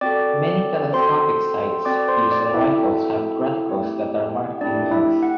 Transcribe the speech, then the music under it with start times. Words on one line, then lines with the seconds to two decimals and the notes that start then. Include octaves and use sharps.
Many telescopic sights used on rifles have reticles that are marked in mils.
0.01 C4 F#4 A4 D5 D6
0.93 C4 F#4 A4 C5 C6
1.85 C4 F#4 A4 D5 D6
2.08 C5 C6
2.31 D5 D6
2.54 E4 E5
2.77 C4 F#4 A4
3.69 A3 C4 E4 G4
4.61 A3 C4 D4 E4 G4 D5
4.91 E4 E5
5.23 F#5